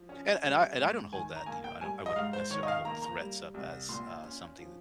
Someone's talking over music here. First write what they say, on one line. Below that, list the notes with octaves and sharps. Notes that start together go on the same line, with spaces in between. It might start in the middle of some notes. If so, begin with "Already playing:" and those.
and and I and I don't hold that, you know, I don't I wouldn't necessarily hold threats up as, uh, something that,
Already playing: F3
C#4
G3
G#2
D#3 G#5
A#5
A#3 G#5
G5
G3 G#5
D#5
G#2 F5
C5
D#3 C#5
D#5
F5
A#3 A#5
A#5
G3
C2
A#2 C6
C#4
F3